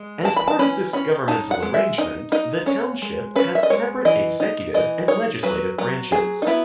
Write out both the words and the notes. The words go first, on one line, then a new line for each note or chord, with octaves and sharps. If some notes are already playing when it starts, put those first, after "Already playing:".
As part of this governmental arrangement, the Township has separate executive and legislative branches.
Already playing: G#3
E3 A5
B5
A5
C#4 B5
C#4 B5
D#4 A5
F#5
G#3
E5
D#4 D#5
D#4 D#5
C#4 C#5
G#3
C#4 B4
E5
D#5
G#3 C#5
E3 D#5
D#4
E3 D#5
D#4 C#5
F#3 B4
F#3
F#3 G#4
D#4
B3 E4